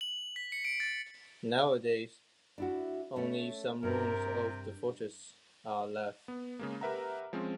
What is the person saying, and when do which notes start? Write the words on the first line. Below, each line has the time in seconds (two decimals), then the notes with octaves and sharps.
Nowadays, only some ruins of the fortress are left.
0.01 F#7
0.36 B6
0.52 C#7
0.65 D7
0.80 A6
2.58 D4 E4 F#4
3.16 A3 C#4 C#5
3.83 G2 C3 A#4
6.28 B3
6.59 C#3 G#3 A#3
6.81 G4 A#4 B4 E5 F#5 A#5
7.33 F3 G#3 C4 C#4